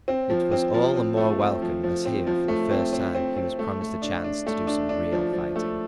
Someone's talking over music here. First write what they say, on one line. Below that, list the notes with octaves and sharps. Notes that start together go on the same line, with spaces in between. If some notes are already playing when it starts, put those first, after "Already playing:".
It was all the more welcome as here, for the first time, he was promised a chance to do some real fighting.
C4
F3
C4
F3
C4
A3
C4
F3
F3
C4
F3
A3
C4
C4
C4
C4
A3
A3
D4
D4
A3
D4
D4
F3
F3
A3